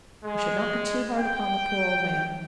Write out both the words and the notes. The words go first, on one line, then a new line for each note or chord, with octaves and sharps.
We should not be too hard upon the poor old man.
G#3
G5